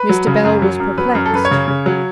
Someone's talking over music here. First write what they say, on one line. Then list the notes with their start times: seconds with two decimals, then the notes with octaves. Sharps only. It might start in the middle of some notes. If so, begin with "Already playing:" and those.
Mr. Bell was perplexed.
Already playing: B4
0.09 F#3
0.27 C#3
0.45 F#2
0.62 F#3
0.80 F#2
0.98 F#3 B4
1.15 F#2
1.26 A4
1.33 F#2 B4
1.45 C#5
1.51 C#3
1.68 C#3
1.86 F#3